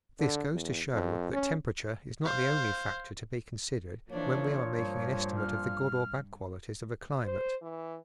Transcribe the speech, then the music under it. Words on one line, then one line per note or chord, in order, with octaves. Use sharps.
This goes to show that temperature is not the only factor to be considered when we are making an estimate of the good or bad qualities of a climate.
D3
E2
F2
C#4
C5 F5
A#2 E3 F3 D4 C#5
G2
F6
C5
E3